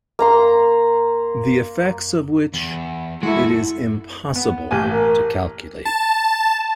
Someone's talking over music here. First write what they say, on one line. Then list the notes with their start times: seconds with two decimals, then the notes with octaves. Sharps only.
The effects of which it is impossible to calculate.
0.19 A#3 A#5 C6
2.54 E2
3.23 G#3 E4 F#4 A4
4.36 B3
4.71 A1 G4 G#5 G6
4.92 A#4
5.85 A5